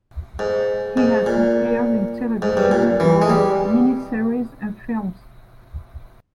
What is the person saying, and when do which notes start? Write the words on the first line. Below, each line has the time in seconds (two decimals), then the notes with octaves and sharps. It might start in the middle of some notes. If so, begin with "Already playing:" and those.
He has appeared in television roles, mini-series and films.
0.39 G#2
0.97 G#2
1.26 A#2
2.42 G#2
2.57 G2
2.71 A#2
3.00 E3
3.22 G#3
3.30 G3